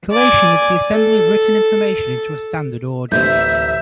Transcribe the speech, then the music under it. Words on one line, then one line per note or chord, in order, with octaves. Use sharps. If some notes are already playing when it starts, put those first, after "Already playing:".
Collation is the assembly of written information into a standard order.
D5 G#5
A4
D1 A1 C5 E5 G6